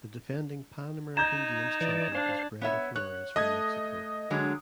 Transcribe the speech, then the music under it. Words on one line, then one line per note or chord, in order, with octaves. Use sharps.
The defending Pan American Games champion is Brenda Flores from Mexico.
D#4 A#5 G6 G#6 E7
E3 D5
D4 C5 F5
B3 C#5 E5
C#5 F#6
A3 D#5 D#6 G#6
D3 F#3 G#3